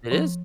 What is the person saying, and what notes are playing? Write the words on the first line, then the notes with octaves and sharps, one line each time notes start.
It is.
F3